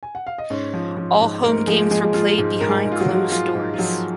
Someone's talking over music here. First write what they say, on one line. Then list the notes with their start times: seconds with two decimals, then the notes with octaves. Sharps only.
All home games were played behind closed doors.
0.03 G#5
0.15 F#5
0.27 F5
0.38 D#5
0.50 G#2 C#4 C#5
0.73 F3
0.97 F3
1.20 G#2
1.44 G#2 A#3 A#4
1.58 A#4
1.67 F3 G#3 G#4
1.91 F3 G#3 G#4
2.14 F3 F4
2.38 G#2
2.60 G#2 A#4
2.69 G#3 G#4
2.85 G#2
2.92 F4
3.00 F#3 F#4
3.08 F3
3.32 F3 F4
3.55 G#2
3.74 F4
3.78 F3 F#3 F#4